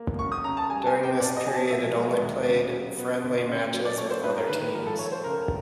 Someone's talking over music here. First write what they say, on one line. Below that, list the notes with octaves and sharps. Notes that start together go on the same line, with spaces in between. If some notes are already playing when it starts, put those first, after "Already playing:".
During this period it only played friendly matches with other teams.
Already playing: A#3
F#2 C#6
D#6
C#3 A#5
A5
G3 G#5
A5
G#5
B3
G5
B1 D5
D#5
B2 G#5
A5
F3 E5
G#3
D#2
C#3
F#3
B3
D2
C#3
F#3
D5
A3 C#5
C5
G2 B4
A#4
D#3 B4
B4
F3 A#4
A4
A3 C#5
C5
C#2 A#4